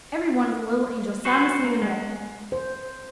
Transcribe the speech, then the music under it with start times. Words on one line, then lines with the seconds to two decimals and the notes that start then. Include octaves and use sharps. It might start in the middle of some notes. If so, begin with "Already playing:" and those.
Every one of the little angels sound asleep in bed.
1.25 F#4 B4 C5 F#5
1.64 A#3
1.82 G#3
2.52 C5